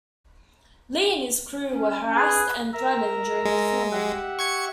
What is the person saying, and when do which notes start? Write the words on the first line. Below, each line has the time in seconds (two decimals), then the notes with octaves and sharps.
Li and his crew were harassed and threatened during the filming.
1.70 C#4
2.16 G#4 B4
2.73 A#4 E5 A#5
3.45 G#3
3.92 G4 E5 F#5
4.39 C#6 G#6 C#7